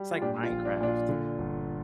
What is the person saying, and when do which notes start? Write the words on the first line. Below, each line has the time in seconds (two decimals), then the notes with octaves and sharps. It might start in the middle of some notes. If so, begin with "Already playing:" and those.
it's like Minecraft.
Already playing: G3
0.11 F4
0.22 A#2 D4 G4
0.43 F4
0.50 A#1
0.65 D4
0.80 A#2 D4
0.87 F4
1.09 D3
1.38 G1